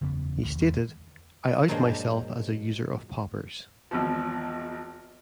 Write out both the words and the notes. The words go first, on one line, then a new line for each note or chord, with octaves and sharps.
He stated, I out myself as a user of poppers.
F#1 E2 C#3 B3
A1 D2 B2
A1 E2 D#3 G#3
G2 A#2 F3 F#3 G#3 A#3
G#1 E2 F3